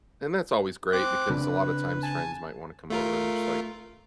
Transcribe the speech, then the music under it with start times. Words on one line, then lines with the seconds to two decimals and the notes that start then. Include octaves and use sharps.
and that's always great because a lotta times friends might wanna come over and we're, just, like,
0.93 C4 D6 F#6
1.30 C#3 C4 D4 B4
2.03 G#5 A5
2.90 A3 F4 A#4